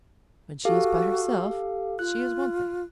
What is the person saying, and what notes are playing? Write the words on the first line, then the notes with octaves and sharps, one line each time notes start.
When she is by herself, she is one thing.
F#4 G4 A4 F5
F4 F#6